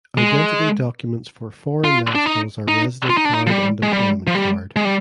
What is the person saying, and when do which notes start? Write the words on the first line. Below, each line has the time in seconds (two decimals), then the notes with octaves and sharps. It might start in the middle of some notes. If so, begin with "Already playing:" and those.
Identity documents for foreign nationals are resident card and employment card.
0.18 G#3
1.84 F4
2.15 D4
2.26 D#4
2.68 D#4
3.10 F4
3.17 D#4
3.25 D4
3.33 D#4
3.47 F3
3.51 G3
3.83 G#3
3.93 G3
4.27 F3
4.35 G3
4.76 G#3
4.85 G3